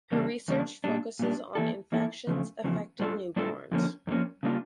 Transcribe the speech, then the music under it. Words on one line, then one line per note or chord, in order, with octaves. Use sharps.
Her research focuses on infections affecting newborns.
E2 C#3 G3 A#3 D4
E2 C#3 G3 A#3 D4
A#2 G3 D4
A#2 G3 D4
E3 A#3 E4 A4
E3 A#3 E4 A4
E2 C#3 F3 A3
E2 C#3 F3 A3
A2 G3 D4 F4 A4
A2 G3 D4 F4 A4
F2 D3 F3 A#3 C#4
F2 D3 F3 A#3 C#4
C#3 G3 A#3 D4 F4